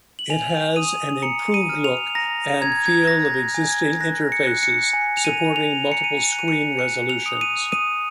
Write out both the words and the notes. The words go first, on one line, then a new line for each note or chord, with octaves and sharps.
It has an improved look and feel of existing interfaces, supporting multiple screen resolutions.
F#7
G#5 F7
D#6 D#7
A#5 C#7
D#7
F6
F7
A#5 A#6
A#5 G#6
G#6
F#6 A#6
G#5 G#6
G#6
F#6 A#6
C#7
F#6
C#7
G#5
F7
D#7
G#5
F7
A#5
C#7
D#7
F7
F#6
D#7
C#7
F#6 C#7
F7
D#6
D#7
D#6 D#7